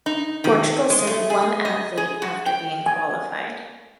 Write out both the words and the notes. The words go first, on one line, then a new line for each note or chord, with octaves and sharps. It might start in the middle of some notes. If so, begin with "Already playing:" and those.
Portugal sent one athlete after being qualified.
D#4
D#3
G#3
A3
G#4
D#5
G#4
F#4
G5
G#5